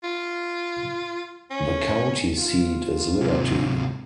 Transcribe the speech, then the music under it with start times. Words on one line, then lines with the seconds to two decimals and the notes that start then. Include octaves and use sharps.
The county seat is Liberty.
0.04 F4
1.51 C#4
2.38 F4
3.21 G#2 C3